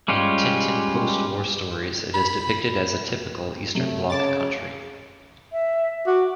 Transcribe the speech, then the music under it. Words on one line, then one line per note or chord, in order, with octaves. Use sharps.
In Tintin post-war stories it is depicted as a typical Eastern Bloc country.
G3 G#3 C#4 F4 G4
B5
C3 F#3 A3
C#3 C#5 A5 D6 A6
E5
F#4 D6